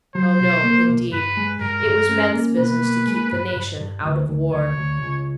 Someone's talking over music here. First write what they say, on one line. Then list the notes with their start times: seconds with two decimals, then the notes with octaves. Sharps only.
Oh, no, indeed; it was men's business to keep the nation out of war.
0.15 F#3 C5
0.40 B1
0.64 A#3
0.88 B1
1.13 G2 B4
1.37 G#3
1.61 G2 A#4
1.85 G2
2.09 C#4
2.34 A#3
2.58 B2 B4
2.83 A#3
3.07 G#3
3.32 G2
3.56 G2
3.80 G2
4.05 D2
4.28 D2
4.52 D2 C#5
4.77 D2
5.02 C#2